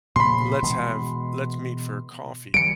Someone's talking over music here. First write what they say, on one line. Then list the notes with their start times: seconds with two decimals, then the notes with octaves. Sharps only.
"Let's have let's meet for a coffee."
0.16 A#2 C#3 F3 B5 C6
0.62 B2 E3 G#3
2.54 E3 F3 G3 C#7 D7